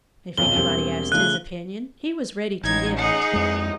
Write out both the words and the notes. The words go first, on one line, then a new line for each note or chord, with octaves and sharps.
If anybody asked his opinion he was ready to give it.
D#1 B1 F2 G7
E1 G3 C4
C#3 F3 A3 F#6
A1 G#3 D#4 G#6
D#4 G#4 F#5
F2 G#3